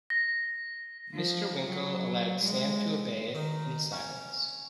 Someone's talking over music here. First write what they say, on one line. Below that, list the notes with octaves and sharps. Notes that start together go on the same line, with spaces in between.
Mr. Winkle allowed Sam to obey it, in silence.
A#6
F3
F#3
G#3
D#3
C#4